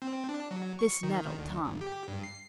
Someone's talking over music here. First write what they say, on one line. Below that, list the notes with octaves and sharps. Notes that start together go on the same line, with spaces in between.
This nettled Tom.
C4
D4
F#3
C#6
D#3
D2
G1
G4
G2
C7